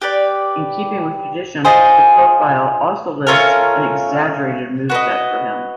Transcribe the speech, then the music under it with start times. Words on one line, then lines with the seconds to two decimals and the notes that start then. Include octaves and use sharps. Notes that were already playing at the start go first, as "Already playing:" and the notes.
In keeping with tradition, the profile also lists an exaggerated moveset for him.
0.01 G4 B4 D5
1.65 F4 G#4 C5 D#5
3.27 A3 C#4 F4 A#4
4.90 F#4 B4 D#5